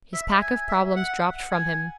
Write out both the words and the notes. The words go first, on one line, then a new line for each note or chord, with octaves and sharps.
His pack of problems dropped from him.
E5
G#5
E5
F#5
G#5